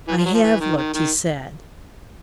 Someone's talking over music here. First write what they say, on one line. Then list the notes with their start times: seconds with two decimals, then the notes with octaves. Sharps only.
"I have looked," he said.
0.08 E3
0.17 F3
0.25 F#3
0.34 F3
0.42 E3
0.60 D#3
0.77 D#3
0.94 D#3